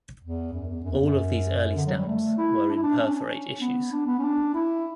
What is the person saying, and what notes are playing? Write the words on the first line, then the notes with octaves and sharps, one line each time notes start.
All of these early stamps were imperforate issues.
E2
F#2
E2
F#2
E2
F#2
D3
F#3
G3
A3
E4
D4
E4
D4
C#4
D4
C#4
B3
D4
B3
C#4
D4
E4